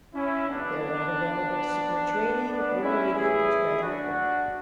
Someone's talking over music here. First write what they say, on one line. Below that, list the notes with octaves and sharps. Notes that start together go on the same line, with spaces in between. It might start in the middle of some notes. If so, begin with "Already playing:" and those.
They are not available to support training or immediate postgraduate work.
C#4 E4
F#1 F#2 C#3 E3 B3 D4
F#1 F#2 D3
B3 D4
C#4 E4
A1 A2 E3 E4 G#4
D4 F#4